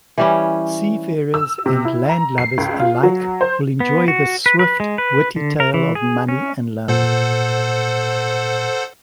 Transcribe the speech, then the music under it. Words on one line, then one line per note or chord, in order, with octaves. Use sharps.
Seafarers and landlubbers alike will enjoy this swift, witty tale of money and love.
E3 G3 C#4
E6
C3
E4
A#5
C7
C#2
F4
F#3
C5
B3
F#4
B4
B4
G#3
B4
D3
A#4
E3
G#4
C#4
A#2 A4 C5 F#5